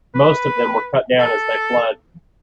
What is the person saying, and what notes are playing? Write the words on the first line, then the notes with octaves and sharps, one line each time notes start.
Most of them were cut down as they fled.
B4
A4